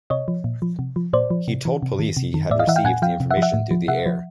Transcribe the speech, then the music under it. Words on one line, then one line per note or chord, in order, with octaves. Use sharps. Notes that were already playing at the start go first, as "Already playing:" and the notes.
He told police he had received the information through the air.
C3 C#5 D#5
F3
A#2
F3
C3
F3
A#2 C5 D5
F3
C3
E3
C3
D#3
C3
D#3
A2 D5 E5
D#5 F5
E3 E5 F#5
F5 G5
A#2 F#5 G#5
F3 F5 G5
C3
E5 F#5
F3
E5 F#5
A2
F3
C3 E5 F#5
F3